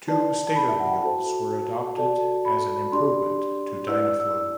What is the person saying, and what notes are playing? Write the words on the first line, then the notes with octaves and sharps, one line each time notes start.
Two stator wheels were adopted as an improvement to Dynaflow.
E4 B4 D5 A5
A5
B5
E5
F#5
G5
F#4 A4 C5 A5
F#4 A4 D5 A5
B5
D4 G4 D5 C6
E4 B4 D5 E6
E6